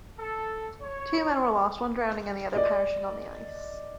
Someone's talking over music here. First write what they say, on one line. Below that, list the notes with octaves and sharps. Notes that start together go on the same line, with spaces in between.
Two men were lost, one drowning and the other perishing on the ice.
A4
C#5
D5 D#5